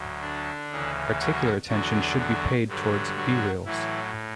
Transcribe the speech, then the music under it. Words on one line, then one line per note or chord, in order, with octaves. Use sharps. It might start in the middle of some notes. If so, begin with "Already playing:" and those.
Particular attention should be paid towards b-reels.
Already playing: D2 F#3
D3 D4
D2 C#3 E3
F#3 F#4
E2 D3 F#3 F#4
F#3 F#4
G2 D3 F#3
F#3 F#4
A2 E3 F#3 E4